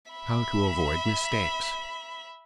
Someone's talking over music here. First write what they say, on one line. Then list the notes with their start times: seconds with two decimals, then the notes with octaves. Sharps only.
How to Avoid Mistakes.
0.11 E5 B5